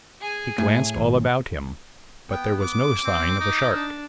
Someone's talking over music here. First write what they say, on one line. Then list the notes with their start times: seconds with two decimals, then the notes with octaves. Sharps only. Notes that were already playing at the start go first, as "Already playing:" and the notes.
He glanced all about him, but there was no sign of a Shark.
0.21 G#4 G#5
0.58 A2
0.96 G#1
2.30 B3 G5
2.60 D6
3.04 C4
3.40 D#4
3.74 D4